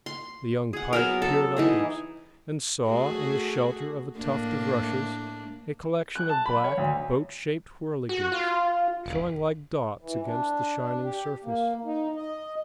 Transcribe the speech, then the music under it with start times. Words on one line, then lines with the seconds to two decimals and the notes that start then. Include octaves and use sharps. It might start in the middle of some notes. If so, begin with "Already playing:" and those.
The young pike peered upwards, and saw in the shelter of a tuft of rushes a collection of black, boat-shaped whirligigs, showing like dots against the shining surface.
0.06 C6
0.73 G#4 F#5
0.93 F#3 B3 A#4
1.22 A4
1.57 E3 D#4 G#4
2.87 A3 F#4 G#4
4.17 A2 A#3 D4
6.15 F#6
6.29 A5
6.46 B5
6.64 C#5
6.77 D2
8.09 F#4
8.32 F4
9.06 E1
10.01 E3
10.25 D4
10.79 D4
11.03 G4
11.44 A#3
11.85 D#4
12.16 D#5